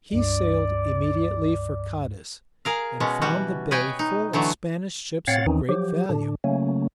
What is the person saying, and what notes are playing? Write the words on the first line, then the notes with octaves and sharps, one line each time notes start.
He sailed immediately for Cadiz, and found the bay full of Spanish ships of great value.
C#2 G2 D5
G#4 A#4 F5
B2 G#3 C#4
E3 G3 F#4
B4 C#5 D#5 G5 G#5
D#4
D3 E3 F#3 A3
A2 C4 C#5 F5 F#5 A6
D#2 D#3 E3 C4 C#4 D#4
F3 F#3 G4
A2 D3 D4
C#3 F#3 A3 A#3 C#4